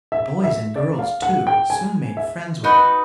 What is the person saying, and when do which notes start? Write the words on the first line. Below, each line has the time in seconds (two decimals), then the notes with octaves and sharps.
The boys and girls, too, soon made friends with him.
0.12 E5
0.44 E5
0.76 D5
0.99 F5
1.22 F#5
1.47 G5
1.70 G#5
2.17 E5
2.64 D#4 F#4 B4 D#5